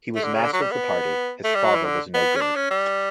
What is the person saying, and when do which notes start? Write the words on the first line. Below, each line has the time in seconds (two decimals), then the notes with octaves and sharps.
He was master of the party; his father was no good.
0.15 A3
0.24 D3
0.34 C#3
0.43 D3
0.53 F#3
0.62 G3
0.71 B3
1.44 A3
1.55 G3
1.64 F#3
1.75 E3
1.85 D3
2.14 B3
2.36 C#4
2.41 D4
2.56 C#4
2.71 G3